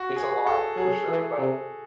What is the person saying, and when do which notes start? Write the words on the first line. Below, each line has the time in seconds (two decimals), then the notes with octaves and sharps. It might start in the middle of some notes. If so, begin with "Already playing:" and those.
it's a lot, for sure, but
Already playing: F#4
0.16 G#4
0.47 A4
0.77 F#3 G#4
1.08 E3
1.38 C3